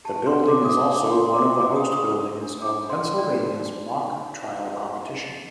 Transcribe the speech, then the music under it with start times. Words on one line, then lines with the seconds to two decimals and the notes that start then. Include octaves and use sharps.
The building is also one of the host buildings of Pennsylvania's Mock Trial Competition.
0.05 G4 A5
0.26 D4 C6
0.48 D4 D6
0.65 D#6
0.69 D4 D6
0.91 D4 D6
1.11 D4 C6
1.25 C6
1.33 A#4 D6
1.55 D4 D6
1.76 G4 D#6
1.92 A#4 D#6
2.20 A#4
2.40 D4
2.61 D4 D6
2.83 D4
2.90 C6
3.05 D4
3.18 D5
3.26 D4
3.47 D#4
3.69 D#4
3.90 D#4
4.11 D#4
4.33 D#4
4.54 F#4
4.75 F#4
4.97 D#4
5.18 D#4 D#5